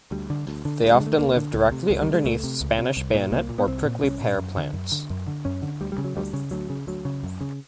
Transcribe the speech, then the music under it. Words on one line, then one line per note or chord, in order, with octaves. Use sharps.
They often live directly underneath Spanish bayonet or prickly pear plants.
D2 G3
D3
D2
D3
D2 G#3
G#3
D3
A3
D2 A#3
D3
C#2 A3
C3
C#2 G#3
G3
C3
G#3
C#2 A3
C3
C#2
C3
C2
A#2
C2 A#3
A#2
B3
C2 C4
A#2
C2 C#4
A#2
F#2
D3
F#2
D3
F#2
D3
F#2 C#4
D3
D2 G3
G3
C#3
F#3
D2 G3
C#3
D2 F#3
C#3
D2 F#3
C#3
F#2
C#3